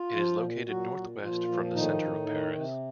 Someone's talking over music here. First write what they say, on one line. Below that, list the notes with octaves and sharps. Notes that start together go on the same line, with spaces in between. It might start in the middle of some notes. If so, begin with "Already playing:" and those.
It is located northwest from the centre of Paris.
Already playing: F4
F3
A#2
A#2 F#3 F#4
A#2
A#2 F3 F4
F3
A2 D#3 D#4
A2
D#3
C3